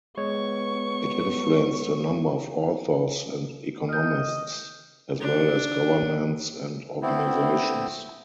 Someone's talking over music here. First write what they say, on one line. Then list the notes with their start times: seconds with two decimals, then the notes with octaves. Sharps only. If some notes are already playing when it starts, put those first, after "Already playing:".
It influenced a number of authors and economists, as well as governments and organizations.
0.18 G#3 B3 C#5 C#6
3.89 D#5 F6 G6
5.21 D4
7.02 D3 A3 B3 C4 E4